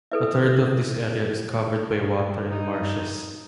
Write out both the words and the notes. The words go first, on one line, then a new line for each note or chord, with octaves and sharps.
A third of this area is covered by water and marshes.
E4 A4 B4 E5
D#4